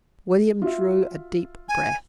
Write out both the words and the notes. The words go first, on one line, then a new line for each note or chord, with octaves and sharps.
William drew a deep breath.
F4 F#4 E5
G#5